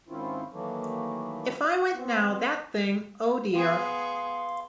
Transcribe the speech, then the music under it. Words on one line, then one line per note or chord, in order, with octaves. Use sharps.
If I went now, that thing — oh dear!
G#2 D#3 C4 C#4 E4 F4
D#3 E3 F#3 A3 A#3
B3 C4
B3 G#4 F5 C6